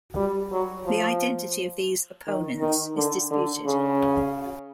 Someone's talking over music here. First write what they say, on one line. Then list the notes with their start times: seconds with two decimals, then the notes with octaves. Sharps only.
The identity of these "opponents" is disputed.
0.16 G3
0.51 F#3
0.86 F3
2.27 D#3
2.61 D#3
2.96 D3
3.31 D3
3.66 C#3